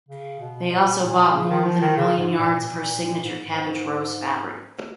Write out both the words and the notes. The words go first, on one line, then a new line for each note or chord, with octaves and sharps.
They also bought more than a million yards of her signature cabbage rose fabric.
C#3
B2
A#2
A#2
C#3
D#3
F3
D#3
C#3
G#2
A#2
A#2
A#2
A#2
G#2
G#2